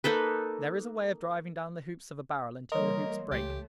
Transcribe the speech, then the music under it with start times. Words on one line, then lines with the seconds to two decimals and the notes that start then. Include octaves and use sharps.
There is a way of driving down the hoops of a barrel until the hoops break.
0.04 A#3 D#4 A4 B4
2.72 E3 G3 A#3 A#4 C#5 D#5 C6
3.32 C#2 A3 G4